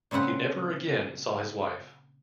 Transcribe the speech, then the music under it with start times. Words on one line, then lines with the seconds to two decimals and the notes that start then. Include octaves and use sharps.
He never again saw his wife.
0.11 A#2 C#3 C4 B4 F#5